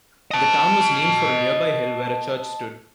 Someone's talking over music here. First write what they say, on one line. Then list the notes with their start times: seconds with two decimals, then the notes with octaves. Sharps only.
The town was named for a nearby hill where a church stood.
0.31 D#5 A5